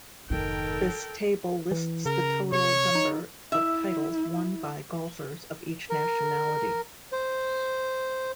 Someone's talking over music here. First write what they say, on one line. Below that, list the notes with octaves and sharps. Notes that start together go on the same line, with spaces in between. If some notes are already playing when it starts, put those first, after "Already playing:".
This table lists the total number of titles won by golfers of each nationality.
F1 G#2 D#3 A4 A#4 G5
E3
C#3 A#4
C3 C#5
D#4
E4 E5
A#4
C5